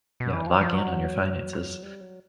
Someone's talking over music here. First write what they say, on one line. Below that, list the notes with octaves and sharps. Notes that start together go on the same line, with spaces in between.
Yeah, lock in on your finances.
B2
E3
F3
F3
F#3
G3
F#3